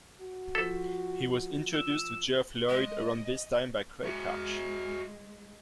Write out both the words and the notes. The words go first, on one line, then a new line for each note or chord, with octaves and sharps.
He was introduced to Geoff Lloyd around this time by Craig Cash.
F#4
F3 A4 B6
E6
G#3 D#5
G#3 F#4 E5